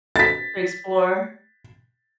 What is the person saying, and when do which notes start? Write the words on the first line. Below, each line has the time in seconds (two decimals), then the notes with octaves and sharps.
To explore?
0.16 A6 B6